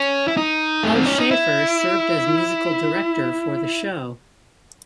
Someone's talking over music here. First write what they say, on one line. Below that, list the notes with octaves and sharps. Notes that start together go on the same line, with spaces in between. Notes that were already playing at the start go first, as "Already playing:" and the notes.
Paul Shaffer served as musical director for the show.
Already playing: C#4
E4
D#4
A3
C4
C#4
D#4
E4